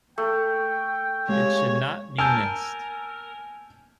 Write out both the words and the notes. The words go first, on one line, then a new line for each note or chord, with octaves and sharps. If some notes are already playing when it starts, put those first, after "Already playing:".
It should not be missed.
A3 G5
G#3 G4 C#5 F5
A#4 G#5 A5 E6 G6